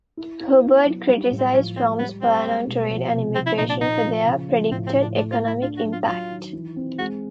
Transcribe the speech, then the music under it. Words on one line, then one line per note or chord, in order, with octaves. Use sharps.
Hubbard criticized Trump's plans on trade and immigration for their predicted economic impact.
E4
E4
B3
F#3
G3 B3
B3
A2
C4
F3 C#4
G#3 C4
G3 B3
G3 C4
G#3
B2
F3
C3
F3 C4
E4
A#2 D#4
D4
A#3 D#4
F3
C#3
F3
A2 C4
C4
A2
D4
A3 D4
F4
A3
E4
D4 F4
F#4
F#3
F4
F#3 F4
D#3
E3
C4
G#3 F#4